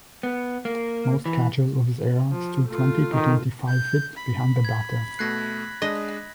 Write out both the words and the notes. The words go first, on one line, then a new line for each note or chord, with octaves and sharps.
Most catchers of his era stood twenty to twenty-five feet behind the batter.
B3
A#3
E3
F3
A3 F4
D#3
G6
B5
G#6
B2 A3 F#6 G#6 A#6 C7
G#3 D4 D#5 A#6